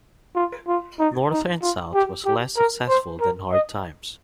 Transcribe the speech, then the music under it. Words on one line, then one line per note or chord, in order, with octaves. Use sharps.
"North and South" was less successful than "Hard Times".
F4
F4
D#4
D#4
F4
G4
G4
A#4
C5
A#4
D#5